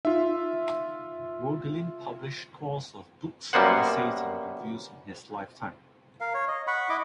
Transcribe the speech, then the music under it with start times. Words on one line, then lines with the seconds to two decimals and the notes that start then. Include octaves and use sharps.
Voegelin published scores of books, essays, and reviews in his lifetime.
0.05 D#4 F4 E5
3.53 F#2 G3 A#3 B3 C5 F#5
6.21 A#4 F5
6.34 C#5
6.48 D#5
6.67 F#5 B5 C#6
6.89 E4 D#5 D6